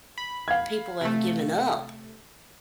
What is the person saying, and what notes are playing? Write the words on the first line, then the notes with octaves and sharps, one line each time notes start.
people have given up,
B5
F5 G#6
C3 A3